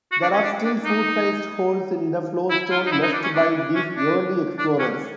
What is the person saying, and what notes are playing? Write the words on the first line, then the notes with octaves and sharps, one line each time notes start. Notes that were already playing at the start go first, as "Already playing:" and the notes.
There are still foot-sized holes in the flowstone left by these early explorers.
F#4
D4
C#4
D4
D4
D#4
E4
F4
D#4
E4
D#4
D4
C#4
D4
C#4
D4
D4
C#4